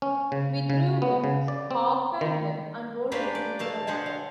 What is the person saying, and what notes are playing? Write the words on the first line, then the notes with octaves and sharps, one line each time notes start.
We threw him, hogtied him and rolled him into the water.
C#4
C#3
C#3
B3
C#3
D5
C4
D#3
A#3 C#4 D4 G4 B4 C5
D5
B2 A3 F5 A5
D3 C5 F#5 G#5
F5